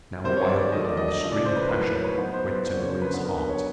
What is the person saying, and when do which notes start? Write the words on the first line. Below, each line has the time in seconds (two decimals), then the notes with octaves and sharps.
Now a wail, now a scream of passion, went to Maria's heart.
0.24 C3 D#3 G3 C5
0.37 C#5
0.49 D5
0.72 D#3 F#3 A3 D4 D#5
0.84 D5
0.97 D#5
1.08 D#5
1.20 C#3 F3 A3 D#5
1.32 D5
1.45 C5
1.57 B4
1.68 A2 F#3 A#3 D#4 B4
1.81 B4
1.93 C#5
2.05 B4
2.17 F#3 B3 D#4 C5
2.33 C5
2.50 B4
2.65 C#3 F#3 A#3 D4 F4 C5
2.77 C#5
2.89 C5
3.02 B4
3.14 D3 F#3 B3 D4 B4
3.25 A#4
3.38 B4
3.49 C#5